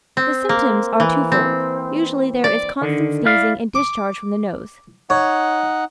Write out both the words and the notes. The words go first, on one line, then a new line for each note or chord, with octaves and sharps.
The symptoms are twofold, usually there is constant sneezing and discharge from the nose.
C4
A#3
E3
C4
D5
D3 D#3
E4 D5 F5
D6
D#4 C#5 F#5